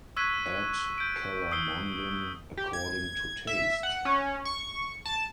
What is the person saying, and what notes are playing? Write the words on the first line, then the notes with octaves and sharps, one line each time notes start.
Add calamondin according to taste.
C#6 E6 F#6 G#6 B6 D#7
G6 D7
D#6 E6 C7 G7
G4
G#6
E5
F#5
C#4
C#6
A5